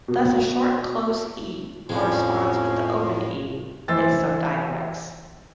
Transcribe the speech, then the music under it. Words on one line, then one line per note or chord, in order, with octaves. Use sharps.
Thus, the short close "e" corresponds with the open "e" in some dialects.
B2
F2 A2 F3 G#3 C#4
E3 C5 E6 A6